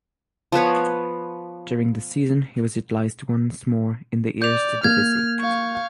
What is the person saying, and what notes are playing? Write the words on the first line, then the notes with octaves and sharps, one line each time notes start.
During the season he was utilised once more in the Eerste Divisie.
F3 B3 B4 C#5
D5 G6 F7
A#3 F6 G#6
F5 C#6